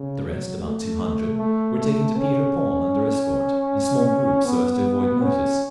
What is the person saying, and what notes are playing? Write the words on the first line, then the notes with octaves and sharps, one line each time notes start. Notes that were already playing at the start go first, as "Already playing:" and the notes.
The rest, about two hundred, were taken to Peter-Paul under escort, in small groups so as to avoid notice.
Already playing: C#3
F#3
A3
A3
A3
C#4
B3
C#4